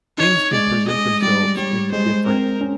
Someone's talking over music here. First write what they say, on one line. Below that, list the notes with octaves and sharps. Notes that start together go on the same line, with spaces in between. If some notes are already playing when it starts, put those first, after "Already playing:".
things can present themselves in different
D#4 C#5
G#3 D5
G#3 D#5
G3 D5
G3 C#5
G#3 C5
C4 A#4
C#4